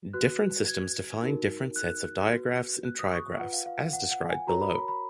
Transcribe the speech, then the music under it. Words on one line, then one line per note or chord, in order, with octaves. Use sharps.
Different systems define different sets of digraphs and trigraphs, as described below.
F#4 B4 F#6
G#6
D#4 F#4 A#4
F#6
F#4 B4
F#6
D#6
C#6
F4 B4 F#5
F5
F5
F#5
F#5
G#5
F#4 A#4 C#5 A#5
B5
B5
B5